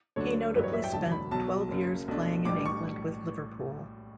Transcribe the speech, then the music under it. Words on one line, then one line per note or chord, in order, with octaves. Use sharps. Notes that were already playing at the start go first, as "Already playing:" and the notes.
He notably spent twelve years playing in England with Liverpool.
D2 D3 F#3 A3 D4 C#5
A1 G2 F#3 B4
C#5
E5
G5
E1 D2 D3 F#3 A5
B5
B1 B2 F#3 A5
F#1 F#2 C#3
B1 B2 A3 D4
A1 A2 G3 D4 D6
C#6